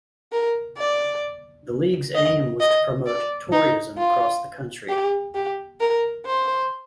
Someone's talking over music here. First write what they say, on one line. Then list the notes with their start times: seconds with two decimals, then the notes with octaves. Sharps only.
The league's aim was to promote Toryism across the country.
0.32 A#4
0.78 D5
2.15 D#5
2.60 D#5
3.06 D5
3.52 D#4
3.98 F4
4.89 G4
5.35 G4
5.80 A#4
6.26 C5